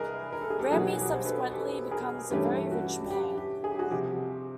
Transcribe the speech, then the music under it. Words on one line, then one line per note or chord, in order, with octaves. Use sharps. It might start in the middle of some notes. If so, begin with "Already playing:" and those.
Ramey subsequently becomes a very rich man.
Already playing: C2 G#4 A#4 B4 D#5
A#4
A4
G#4
G4 A4
B1 B2 F#3 F#4 G#4
F#4
G4
C5
A4 B4
G4 A4
G#4 A#4
G2 E3 A3 C#4 G4
F#4
G4
G4
G#4
G4
F#4 G#4
C3 F3 G4